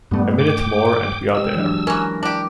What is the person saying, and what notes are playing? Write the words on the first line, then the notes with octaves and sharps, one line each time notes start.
A minute more and we are there.
G2 G3 A3 B3
G5 D6
G#3 G4 E6
E3 F#3 D4
E3 C#4 A#4
D4 E4 G4